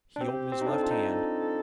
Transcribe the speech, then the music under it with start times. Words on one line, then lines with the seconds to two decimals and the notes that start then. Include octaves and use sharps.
He opened his left hand.
0.16 D4
0.21 C4 G4
0.52 C4
0.61 D#4
0.67 D4 A4
0.83 F4
0.91 D#4
1.13 A4